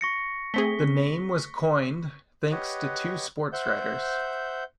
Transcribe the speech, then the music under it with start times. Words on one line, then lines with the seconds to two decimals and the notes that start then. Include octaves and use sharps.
The name was coined thanks to two sportswriters.
0.01 C#6 A#6 C#7
0.54 A3 C4 G#4 B6 G7
2.52 G4 B4 C#5 D#5 F#5
3.53 C5 E5 F#5 G6